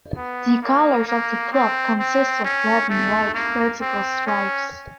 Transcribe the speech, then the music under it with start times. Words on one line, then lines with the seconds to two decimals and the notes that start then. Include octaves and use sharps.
The colours of the club consist of red and white vertical stripes.
0.16 B3
0.62 A#3
1.07 A#3
1.52 C4
1.99 C4
2.45 C#4
2.90 A3
3.34 A#3
3.81 C4
4.26 C#4